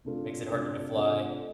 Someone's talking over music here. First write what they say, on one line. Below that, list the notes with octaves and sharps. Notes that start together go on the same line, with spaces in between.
makes it harder to fly.
C3 A3 D4 F4 A4
C3 A3 D4 F4 A4
C3 A3 D4 F4 A4